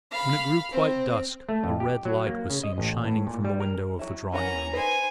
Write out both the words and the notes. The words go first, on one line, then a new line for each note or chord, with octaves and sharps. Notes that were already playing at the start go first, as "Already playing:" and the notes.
When it grew quite dusk a red light was seen shining from the window of the drawing-room.
F5 B5
C4
A3
F2
G4
F#3
A#3
C#3
D#5
A1
A2
A#2
G3
A#4
F#3 E4
E3 C#4 A#4 F#5 A#5
D#4 B4 C5 G#5